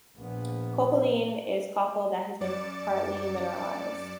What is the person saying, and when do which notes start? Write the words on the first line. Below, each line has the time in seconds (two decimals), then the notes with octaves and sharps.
Copaline is copal that has been partly mineralised.
0.18 A#1 B3
2.41 F#2 D5 D6 A6 C#7 E7